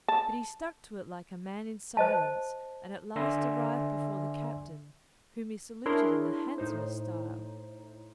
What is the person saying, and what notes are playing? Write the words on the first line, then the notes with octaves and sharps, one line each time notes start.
But he stuck to it like a man in silence, and at last arrived before the captain, whom he saluted in the handsomest style.
A5
C5 D#5 A5
D3 D5 E5 G#5 C6 A#6
D4 E4 G#4 A#4 C#5 C6
A2 D#4 C5